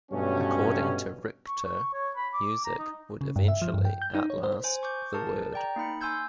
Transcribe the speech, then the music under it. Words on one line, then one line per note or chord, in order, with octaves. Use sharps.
According to Richter, music would eventually 'outlast' the word.
G2 B2 F#3 A3 C#4
C#6
C#6
C#5
B5
D6
A#5
D#4
C#3
G2
E5
F3
G2
G5
G6
D#4
C#5
C5
C5 G#5
C#6 D6 G6
G#4 A#4 A5
D5 G5 A#5
A#3 D#4 B5 C#7
G#5 C6 E6 G6 G#6